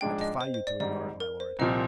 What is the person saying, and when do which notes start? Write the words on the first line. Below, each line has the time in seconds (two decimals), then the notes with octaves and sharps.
"I defy you to ignore it, my lord."
0.01 G#2 F3 G#3 D4 G5
0.21 D#5
0.41 C5
0.54 C5
0.67 D5
0.80 G#1 G#2 G3 D5
1.20 A#4
1.40 C5
1.59 C2 A#2 F3 C4 D#5